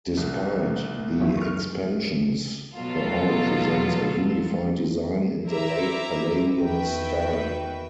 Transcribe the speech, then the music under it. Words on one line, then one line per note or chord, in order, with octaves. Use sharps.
Despite the expansions, the hall presents a unified design in the late Palladian style.
C2
C#2 F#2 C#4 E5
C#6 F6
B2 F#3 F4 A4
E4 C5 E5 A#5 D6
E2 D#3 F#4 B4 E5 G5